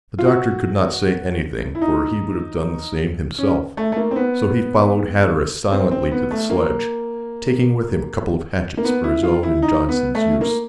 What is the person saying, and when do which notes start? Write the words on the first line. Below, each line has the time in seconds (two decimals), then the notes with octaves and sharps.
The Doctor could not say anything, for he would have done the same himself, so he followed Hatteras silently to the sledge, taking with him a couple of hatchets for his own and Johnson's use.
0.19 F4
0.26 F#4
1.75 E4
1.82 D#4
3.38 C#4
3.77 A3
3.92 A3
3.96 A#3
4.11 C4
4.16 B3
5.72 C4
5.91 C4
6.11 B3
6.31 A3
6.50 A#3
8.77 A#3
8.84 B3
9.04 E4
9.23 F4
9.43 E4
9.62 D#4
9.89 B3
10.15 A3
10.41 A#3